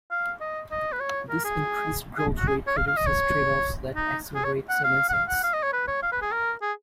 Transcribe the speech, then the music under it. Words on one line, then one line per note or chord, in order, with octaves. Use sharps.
This increased growth rate produces trade-offs that accelerate senescence.
F5
D#5
D#5
B4
C#5
A#4
G#4
G#4
F#4
G#4
C#5
F5
F5
D#5
C#5
D#4
G#4
C#5
F#5
F5
F#5
F5
F#5
F5
D#5
C#5
B4
C#5
F5
B4
G#4
A#4
G#4